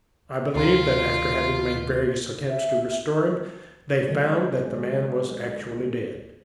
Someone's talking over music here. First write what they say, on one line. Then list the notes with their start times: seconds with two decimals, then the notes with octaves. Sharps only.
I believe that after having made various attempts to restore him, they found that the man was actually dead.
0.55 D2 C3 D#3 F4
2.48 E5
4.08 D3 F#3 G#3